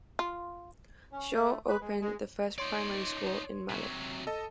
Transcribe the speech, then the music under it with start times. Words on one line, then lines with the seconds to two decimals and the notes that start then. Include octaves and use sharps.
Shaw opened the first primary school in Malek.
0.19 F4
1.13 C#4
1.35 A3
1.69 B4
1.81 G#3
2.01 G#3
2.58 D#4 C#5 D5 C6
3.69 C3 F#3
4.27 A4 D#5 A5